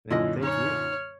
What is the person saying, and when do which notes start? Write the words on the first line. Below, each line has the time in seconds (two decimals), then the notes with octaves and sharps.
Yeah, thank you.
0.10 F#2 A#2 D3 E4 F4 D#5
0.43 D#4 C#5 F6